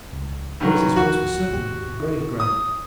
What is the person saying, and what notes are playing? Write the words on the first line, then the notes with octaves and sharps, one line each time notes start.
There is his horse, for certain--a brave grey!
C#2
G2 F#3 D#4 B5
D#2 F3 F#4 F#5
G#1 D#2 G4
E4
D#6